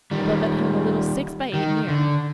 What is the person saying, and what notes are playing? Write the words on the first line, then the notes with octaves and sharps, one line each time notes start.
Above it hung a little six-by-eight mirror.
D#3 G3
D#3
D3